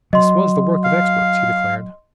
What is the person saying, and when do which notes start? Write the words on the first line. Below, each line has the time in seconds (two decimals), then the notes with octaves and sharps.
"This was the work of experts," he declared.
0.13 F#3 D#5 C6
0.84 F5